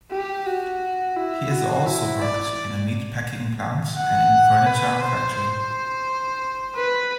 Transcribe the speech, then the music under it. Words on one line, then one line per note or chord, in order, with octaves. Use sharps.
He has also worked in a meat packing plant and in a furniture factory.
G4
F#4
E4
F#4
E4
D5
F#5
B4
C5
C5
B4